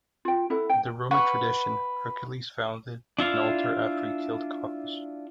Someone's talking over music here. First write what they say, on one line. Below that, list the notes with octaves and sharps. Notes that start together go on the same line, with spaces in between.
In the Roman tradition, Hercules founded an altar after he killed Cacus.
F4 G5
E4 A4 F#5
G5
B4 F#5 C#6
D4 E4 F4 F5